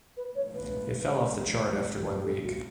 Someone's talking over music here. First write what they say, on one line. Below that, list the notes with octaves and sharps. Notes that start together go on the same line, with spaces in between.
It fell off the chart after one week.
B4
C#5
B4
B4
A4
F#4